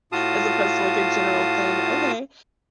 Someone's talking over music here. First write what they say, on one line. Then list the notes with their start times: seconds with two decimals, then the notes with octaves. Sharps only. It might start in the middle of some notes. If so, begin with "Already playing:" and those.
as opposed to, like, a general thing. Okay,
0.12 A2 F4 F#4 F5 A5 D#6